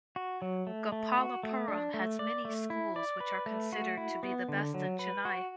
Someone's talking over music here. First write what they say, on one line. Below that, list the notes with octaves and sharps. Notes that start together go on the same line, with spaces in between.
Gopalapuram has many schools which are considered to be the best in Chennai.
F#4
F#3
A3
A3
F#4
A3
D4
A3
D5
A3
E4
D5
B4
A3
F#4
E4
B3
D3
F#3
B4
F#4